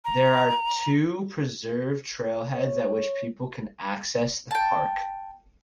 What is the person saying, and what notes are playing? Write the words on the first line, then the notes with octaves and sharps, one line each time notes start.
There are two preserve trailheads at which people can access the park.
A#5
C#5
G5 A5